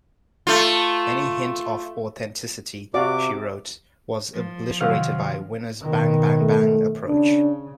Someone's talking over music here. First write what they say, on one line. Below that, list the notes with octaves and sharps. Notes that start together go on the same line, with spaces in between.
Any hint of authenticity, she wrote, was obliterated by Winner's "bang-bang-bang approach".
A3 F4
C3 F#4 D5 F5 D6
F3
C3 D#3 F#3 C4 F5
B2 D#3
A3
C#3 D4